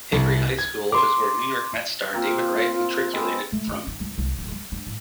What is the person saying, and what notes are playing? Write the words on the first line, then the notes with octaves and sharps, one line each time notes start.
Hickory High School is where New York Mets star David Wright matriculated from.
C2
G#6
C6 D6
A#3 C4 F4 A#4
G#3 B3 C4
A3
E3
D#4
C2
C2
D1
G3
D4
A2